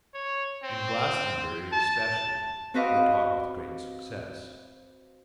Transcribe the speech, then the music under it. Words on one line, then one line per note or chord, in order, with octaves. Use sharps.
In Glastonbury especially, they taught with great success.
C#5
C4
A5
C4 F#4 B4 D#5 F5 D6